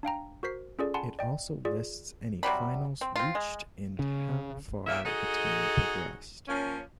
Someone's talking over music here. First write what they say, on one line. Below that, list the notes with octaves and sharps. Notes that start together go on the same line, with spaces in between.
It also lists any finals reached and how far the team progressed.
D4 F5 G5 A#5
F#4 A#4 C5 B6 C7
C#4 F4 G#4 A4 D5
F#5 G#5 A5 B5 C6
D5 D#5 G5
F4 G#4 D5
C3 F#3 G3 B5
C4
C4 F4
G#3
C#3
E2 C#3 A#3 E5
D#4 F#4 G#4 A4 D#5
F3 A#3 C#4